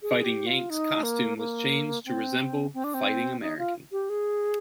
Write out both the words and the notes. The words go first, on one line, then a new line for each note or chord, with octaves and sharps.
Fighting Yank's costume was changed to resemble Fighting American.
G#4
G4
F4
D#4
A#3
A#3
C4
C4
D4
C4
D#4
F4
G4
G#4